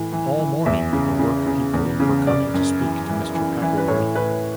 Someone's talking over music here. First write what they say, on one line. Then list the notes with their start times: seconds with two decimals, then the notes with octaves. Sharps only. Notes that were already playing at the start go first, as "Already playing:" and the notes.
All morning the work-people were coming to speak to Mr. Pappleworth.
Already playing: A2 E3
0.12 E3
0.39 E3
0.66 E2 E5
0.93 C#3
1.19 C#3
1.46 C#3
1.74 E2
2.00 C#3
2.27 F#2 D5
2.54 F#2
2.81 E3
3.08 E3
3.34 E3
3.62 E3
3.78 B4
3.88 A2 C#5
4.15 A2 B4